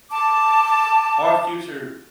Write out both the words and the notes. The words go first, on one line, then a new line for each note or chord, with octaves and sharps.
Our future
A5 D6